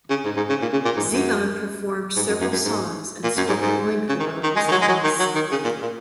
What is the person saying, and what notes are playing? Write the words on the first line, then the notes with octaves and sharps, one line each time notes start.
Zevon performed several songs and spoke at length about his illness.
C#3
G#2
G#2
C#3
A#2
C#3
A#2
G#2
F#2
G#2
F#2
F#2
F#2
G#2
A#2
F#2
G#2
G#2
C#3
D#3
D#3
G#3
D#3
F#3
G#3
F#3
D#3
F#3
D#3
C#3
A#2
A#2